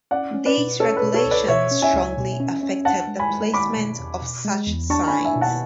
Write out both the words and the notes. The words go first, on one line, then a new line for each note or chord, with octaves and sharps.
These regulations strongly affected the placement of such signs.
C#4 D5 F#5
C#4
B4 D5
B2
C#4 A4 C#5
B4
B2
A4 C#5
C#2
B4 D5
B2 C#5 E5
C#4
E5 G#5
C#2
B2
C#4
C#4
D4 F#5 A5
G#3
G#5 B5
G#3
G#3 B5 D6
B2
E2
B2
G#3
E2
D4 A5 C#6
G#5 B5
D4
E5 G#5
B2
F#5 A5